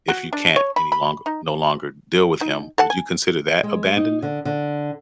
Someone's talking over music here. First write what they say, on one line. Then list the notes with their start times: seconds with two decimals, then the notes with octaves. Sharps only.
if you can't any longer no longer deal with him? Would you consider that abandonment?
0.08 F#4
0.33 D4
0.56 C#5
0.76 B5
0.92 B5
1.26 D#4
2.41 D#4
2.78 A4 F#5 A5
2.90 G#5
3.63 G#3
3.97 D#4
4.22 D3
4.45 D3